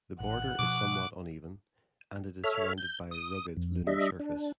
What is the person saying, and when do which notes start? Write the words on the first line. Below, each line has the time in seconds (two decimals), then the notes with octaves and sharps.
The border is somewhat uneven, and it is surrounded by rugged lunar surface.
0.20 A1 F#5 F#6
0.59 B2 F3 D6
2.44 A4 C#5 E5 F6
2.78 G6
3.11 D#6
3.57 F2
3.87 G3 D4 D#5 E5
4.20 D4